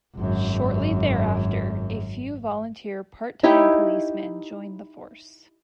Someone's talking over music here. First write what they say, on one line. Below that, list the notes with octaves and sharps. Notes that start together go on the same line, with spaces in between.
Shortly thereafter, a few volunteer part-time policemen joined the force.
G#1 F#2
D#4 E4 G4 C#5